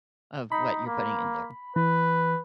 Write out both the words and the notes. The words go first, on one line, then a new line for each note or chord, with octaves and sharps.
of what you're putting in there.
D#4 B5
A#3
E3 B4